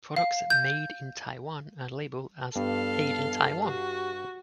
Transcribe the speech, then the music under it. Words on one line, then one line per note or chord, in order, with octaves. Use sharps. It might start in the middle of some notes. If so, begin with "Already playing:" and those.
Products made in Taiwan are labeled as "Made in Taiwan".
F5
G6
G2 B3 A4 F5
F#4 G4